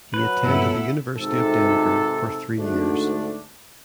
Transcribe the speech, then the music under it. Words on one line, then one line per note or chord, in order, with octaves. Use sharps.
He attended the University of Denver for three years.
F#3 B4
G2 A#2 F3 B3 E4 A4
G#1 G#2 C3 A4
D2 G#2 A3 D4